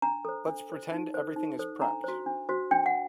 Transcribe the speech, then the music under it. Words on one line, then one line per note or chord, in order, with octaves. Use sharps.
Let's pretend everything is prepped.
D4 A#5
A4 C5
D4
A4 C5
D#4
A4 C5
D#4
A4 C5
D4 A#5
F#4 C5
D4
F#4 C5
D4 G5
F#5